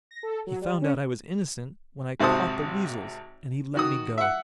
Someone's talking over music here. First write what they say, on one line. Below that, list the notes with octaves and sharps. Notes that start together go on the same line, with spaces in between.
He found out I was innocent when I caught the Weasels and he let me go.
A#6
A4
F#3
G3
C#4
G#1 C3 F#4 C5 A5 D#6
D#3 F#4 D#6
E5 F#5